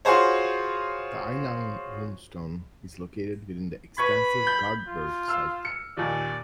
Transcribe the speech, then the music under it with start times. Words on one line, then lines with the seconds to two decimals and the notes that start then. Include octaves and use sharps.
The Einang runestone is located within the extensive Gardberg site.
0.05 F4 F#4 G#4 C5 C#5
3.98 B4 B5 C#6 G#6
4.47 G6
4.87 F4
5.28 F5 E6 F6
5.65 C#7
5.97 D#2 A#2 D5